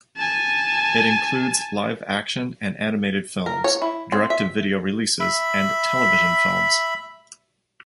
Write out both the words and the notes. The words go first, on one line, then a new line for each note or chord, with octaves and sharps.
It includes live action and animated films, direct-to-video releases, and television films.
G#5 A5
A#4
C#5
E4
C4
E5
E5 B5